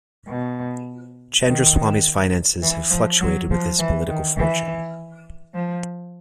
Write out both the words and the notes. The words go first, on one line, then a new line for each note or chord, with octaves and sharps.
Chandraswami's finances have fluctuated with his political fortune.
B2
D#3
E3
F3
F#3
F3
E3
D#3
E3
F3